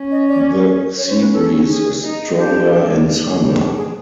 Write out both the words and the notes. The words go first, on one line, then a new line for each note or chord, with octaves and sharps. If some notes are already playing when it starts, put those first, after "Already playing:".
The sea breeze is stronger in summer.
Already playing: C#4
D#5
D5
C#4 C#5
C5
B4
A4
G#4
D#4
D4 G4
D4 G4
G#4